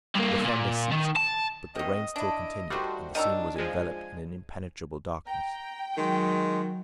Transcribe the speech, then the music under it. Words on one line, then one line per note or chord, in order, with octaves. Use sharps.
The thunder ceased; but the rain still continued, and the scene was enveloped in an impenetrable darkness.
G2 A#3
A#2
D#3
A5
C3 D#3 D#5
D4 E4 D#5 D7
D#3 G3 A3 F#4 C5
D#3 D4 C#5 D#5 A#5 E6
F3 G#3 G#5
G5 A#5
D#3 F#3 G#3